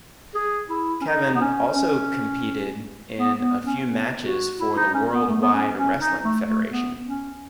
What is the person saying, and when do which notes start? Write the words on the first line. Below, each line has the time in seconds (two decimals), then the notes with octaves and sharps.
Kevin also competed in a few matches for the World Wide Wrestling Federation.
0.34 G#4
0.69 E4
1.01 C#4
1.05 D#4
1.34 B3
1.40 C#4
1.75 C#4
3.17 B3
3.40 B3
3.64 C#4
3.87 B3
4.24 F#4
4.59 E4
4.77 D#4
4.94 C#4
5.12 B3
5.29 A3
5.41 B3
5.53 C#4
5.76 C#4
6.00 D#4
6.24 A3
6.47 A3
6.70 B3
7.06 C#4